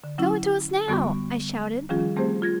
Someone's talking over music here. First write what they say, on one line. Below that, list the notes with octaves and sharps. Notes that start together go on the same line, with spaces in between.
"Show it to us now!" I shouted.
D3
F#3 C#4 E4
F2 D3 G3 B3 F#4 C#6
D#3 F3 G3 C#4 F4 G#4
G3 A3 C4 G4 G#4 C5
F4 G#6 A#6